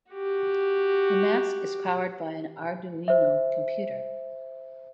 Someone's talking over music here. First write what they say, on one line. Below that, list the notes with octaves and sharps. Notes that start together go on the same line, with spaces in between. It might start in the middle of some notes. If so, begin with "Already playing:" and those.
The mask is powered by an Arduino computer.
F#4 G4
C5 E5